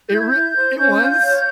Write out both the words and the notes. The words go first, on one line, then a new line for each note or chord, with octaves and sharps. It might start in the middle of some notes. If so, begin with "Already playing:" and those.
It rea it was
E4 G6
G#6
G6
E4
C5
C#4
F4
C#5